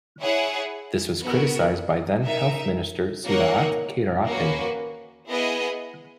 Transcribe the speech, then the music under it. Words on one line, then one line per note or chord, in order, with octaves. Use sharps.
This was criticized by then Health Minister Sudarat Keyuraphan.
E4 G#4 C#5 F#5
B3 F#4 A#4
D#4 A#4 E5
A#3 D#4 A#4 C#5 F#5
A#3 C#4 F#4 B4
B3 E4 G#4 D#5